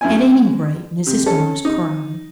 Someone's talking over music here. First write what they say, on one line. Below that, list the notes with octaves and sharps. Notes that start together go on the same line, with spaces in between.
At any rate, Mrs. Morris cried.
F#2 E4 G#5
C3
C#4 A4
D#4